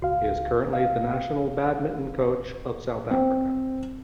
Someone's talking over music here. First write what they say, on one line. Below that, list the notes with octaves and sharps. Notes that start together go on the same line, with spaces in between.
He is currently the National Badminton Coach of South Africa.
C#2 F#4 F5
D#5 F5
C4